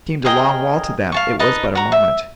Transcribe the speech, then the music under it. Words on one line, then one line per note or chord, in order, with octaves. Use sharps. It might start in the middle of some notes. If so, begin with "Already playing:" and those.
It seemed a long while to them--it was but a moment.
G#4 A#4 D#5 G5
F5 A5 C#6
D#4 B4 D#5 A5
F#4 A#5
E5